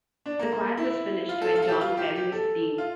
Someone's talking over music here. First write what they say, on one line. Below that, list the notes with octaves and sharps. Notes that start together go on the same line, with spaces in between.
The quad was finished when John Fell was Dean.
D4
A#3
A#3
E4
F4
A4
F4
A4
G4
F4
G4
G4
A4
F4